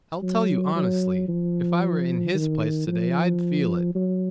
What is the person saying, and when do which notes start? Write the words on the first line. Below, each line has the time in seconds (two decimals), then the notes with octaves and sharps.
I'll tell you honestly, if I were in his place to-day, I'd feel it.
0.23 F#3
0.76 F#3
1.28 F3
2.34 D#3
2.88 F3
3.95 F#3